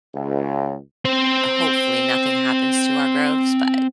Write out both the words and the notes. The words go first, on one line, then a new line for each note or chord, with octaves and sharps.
Hopefully, nothing happens to our groves, but
C#2
C4 C5